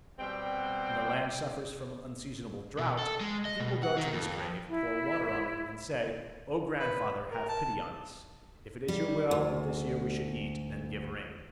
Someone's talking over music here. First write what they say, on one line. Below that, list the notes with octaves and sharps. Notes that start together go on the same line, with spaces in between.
When the land suffers from unseasonable drought, the people go to this grave, pour water on it, and say, "O grandfather, have pity on us; if it is your will that this year we should eat, then give rain."
B2 G3 C4 G5
B2
A4
G#3
D#5
B2
F#5
D#3
F2
E4
B4
A#4
A5
G3
D2